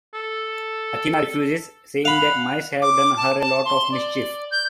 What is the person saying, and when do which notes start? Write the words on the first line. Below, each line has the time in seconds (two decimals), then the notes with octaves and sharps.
Athena refuses, saying that mice have done her a lot of mischief.
0.15 A4
2.05 F5 F#5 B5
2.82 D6
3.17 A5
3.40 A5
3.65 C6
3.92 D5
4.51 G6